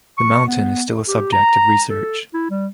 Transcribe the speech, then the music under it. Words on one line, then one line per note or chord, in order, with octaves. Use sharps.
The mountain is still a subject of research.
C#6
B3
G4
A#5
A4
E4
G3